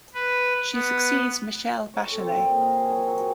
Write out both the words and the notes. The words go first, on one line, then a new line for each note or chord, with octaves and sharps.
She succeeds Michelle Bachelet.
B4
B3
C#5
A4
C4
A#2
D#5
A#4
G#4
F#3
F#3
G5